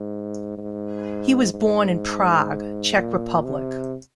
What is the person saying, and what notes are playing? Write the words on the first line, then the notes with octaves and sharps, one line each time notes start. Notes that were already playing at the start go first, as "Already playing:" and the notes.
He was born in Prague, Czech Republic.
Already playing: G#2
G#2
G#2
A#2
C3